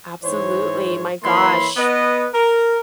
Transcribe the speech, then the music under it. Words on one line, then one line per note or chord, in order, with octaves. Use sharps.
Absolutely, my gosh.
G#2 E3 C5 C#5
E3 A#3 E4 C#5 B5 C6
B3 B4 D#5
A#4